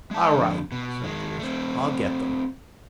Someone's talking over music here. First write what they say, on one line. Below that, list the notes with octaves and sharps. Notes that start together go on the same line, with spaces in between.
"All right," said the Lizard; "I'll get them."
G#3 A5
F2 D3
B2
D#3 G#3
A3 C4